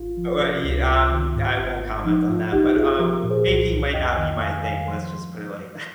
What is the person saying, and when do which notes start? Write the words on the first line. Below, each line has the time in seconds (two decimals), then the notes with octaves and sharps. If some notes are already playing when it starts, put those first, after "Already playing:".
uh, wa ye um, I won't comment on that, but, um, baking might not be my thing, let's just put it like
Already playing: G#1 F4
0.17 F3
0.40 C3
0.64 C#2
0.88 C#2
1.11 D#3
1.35 G#2
1.58 G#1
1.81 G#1
2.05 F3 D#4
2.29 G#2 F4
2.52 A#1 D#4 G4
2.75 A#1 F4 G#4
2.88 C5
2.99 F3 G4 A#4
3.23 A#2
3.30 G#4 C5
3.46 C2
3.69 C2
3.93 F2 D#5 G5
4.08 G#5
4.16 D#3 D#5 G5
4.40 F2 F5 G#5
4.64 D#3 F5 G#5
4.88 F3 C6